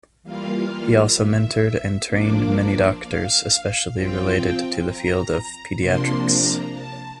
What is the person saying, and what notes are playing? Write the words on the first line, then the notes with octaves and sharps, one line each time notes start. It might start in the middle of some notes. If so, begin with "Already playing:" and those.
He also mentored and trained many doctors especially related to the field of paediatrics.
E3 G3 A#3 F4 F5
E5
F3 A#3 D4 D5
F5
F3 C4 F4 G5
A#5
C3 F3 A#3 D4 C6
A#5
A5